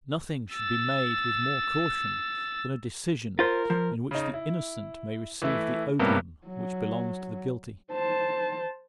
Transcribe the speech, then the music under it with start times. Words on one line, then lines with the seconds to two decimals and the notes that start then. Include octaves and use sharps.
Nothing should be made with more caution than a decision in which the innocent may receive the odium which belongs to the guilty.
0.53 E6 A6
3.39 F4 A#4 C5
3.70 F3
4.11 C#3 D#4
4.34 E4
5.42 E3 A3 E4
6.00 G2 C3 A#3 B3 C#4
6.48 F#3
7.93 C5 A5